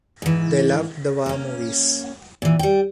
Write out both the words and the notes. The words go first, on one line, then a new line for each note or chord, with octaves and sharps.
They loved the war movies.
G#2 E3
A#3 C#4
A#2 E3
G3 G5